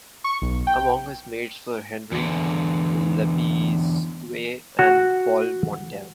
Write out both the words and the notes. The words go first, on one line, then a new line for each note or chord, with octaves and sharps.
Among his mates were Henri Lebesgue and Paul Montel.
C#6
B1
G5
E2 D3
F#4